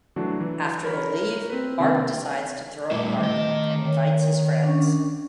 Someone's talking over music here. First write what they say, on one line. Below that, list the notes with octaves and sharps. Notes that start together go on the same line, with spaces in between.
After they leave, Bart decides to throw a party and invites his friends.
E3 F#3 A3 D4 F#4
E3
A#4 B4 C#5 B5
C4 B4
C3 D#3 A#3 C4 D4
A#2 G3 A3 E4 D6
D#3 D#5
D#3 C#5
C#4 D4